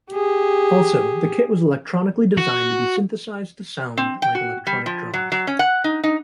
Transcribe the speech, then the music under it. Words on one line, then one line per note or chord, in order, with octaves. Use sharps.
Also, the kit was electronically designed to be "synthesized" to sound like electronic drums.
G4 G#4
F#4
C4
G5
F#4
G3
F3
F#3
F#3
C#4
F#5
D#4
D#4